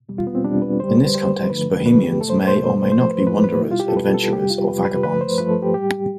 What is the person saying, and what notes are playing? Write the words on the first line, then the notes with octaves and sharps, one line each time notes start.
In this context, Bohemians may or may not be wanderers, adventurers, or vagabonds.
E2 B2 G3
F4
B3
C4
E2 B2 G3 D4
B4
F2 D3 G3 C5
B4
F2 D3 G3 C5
G2 D3 F3 A3 B4
G2 D3 F3 A3 B4
G4
E2 B2 A3 A4
C5
B4
C5
E2 B2 A3
A2 F3 A3 C5
B4
A2 F3 A3 B4
B4
B2 G3 E4
F4
G4
A4
B2 G3 B4
A4
F2 C3 G3 G4
F4
F2 C3 G3 B4
B4
G2 F3 A3 B4
C5
G2 F3 A3 B4
A4
G4
A2 G3 G4